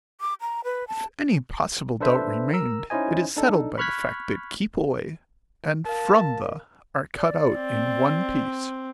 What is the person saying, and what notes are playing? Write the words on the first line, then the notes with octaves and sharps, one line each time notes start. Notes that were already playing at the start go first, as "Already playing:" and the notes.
"If any possible doubt remained it is settled by the fact that 'keep away' and 'from the' are cut out in one piece."
D6
A#5
B4
A5
D4 A4 B4 C5 E5
A#4 A#5 E6
C#4 D#4 E4 C5 D#5 G#5
D4 D#4 A4
B5 C#6 F6 F#6 G#6 B6
A#4 F5 A5
D5
C4